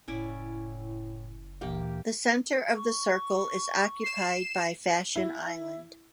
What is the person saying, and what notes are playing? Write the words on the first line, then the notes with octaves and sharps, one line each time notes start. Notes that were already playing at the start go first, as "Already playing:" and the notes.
The center of the circle is occupied by Fashion Island.
F#1 A2 C#4 E4 D5
D2 A#2 E3 A#3 G4
C#6
C7 E7
E4